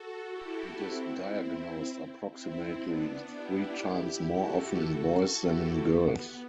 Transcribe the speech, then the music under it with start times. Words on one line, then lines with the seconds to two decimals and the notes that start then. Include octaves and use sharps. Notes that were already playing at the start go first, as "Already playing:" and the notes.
It is diagnosed approximately three times more often in boys than in girls.
Already playing: F#4 A4
0.31 E4 G4
0.81 C4 E4
2.31 C4 E4
2.80 B3 D4
3.30 E4 G4
4.30 F#4 A4
4.81 F#4 A4
5.30 E4 G4
5.80 B3